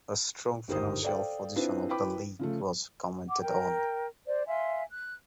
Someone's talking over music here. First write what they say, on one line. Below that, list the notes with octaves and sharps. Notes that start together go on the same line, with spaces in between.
The strong financial position of the league was commented on.
G1 D#2 G4 A#4 C5 D#6
A4 C5 D5 F5 G5
C4 D4 E4 F4 B4
E4 B4 G5 B5 D6
C#3 F3 A3
F#5 D6
A#4 G5
C5 D5
E5 F5 G#5 C6
F#6